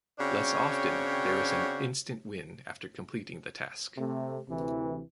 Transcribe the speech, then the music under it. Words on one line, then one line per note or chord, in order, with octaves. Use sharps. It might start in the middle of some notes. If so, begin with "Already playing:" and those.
Less often there is an instant win after completing the task.
C#3 C4 D4 F#4 C#5 G5
C3 A3
D2 C3 E3